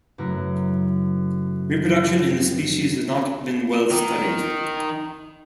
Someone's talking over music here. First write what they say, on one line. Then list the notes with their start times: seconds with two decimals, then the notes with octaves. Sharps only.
Reproduction in the species has not been well studied.
0.18 F#2 C#3 A3 E4 B4 A#5
3.91 D#3 D#4